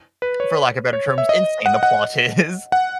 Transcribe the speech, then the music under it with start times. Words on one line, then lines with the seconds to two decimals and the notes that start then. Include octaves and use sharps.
for lack of better terms, insane the plot is.
0.22 B4
0.40 C#5
0.93 C#5
1.18 E5
1.29 D#5
1.66 F#5
1.83 F#5
2.72 F#5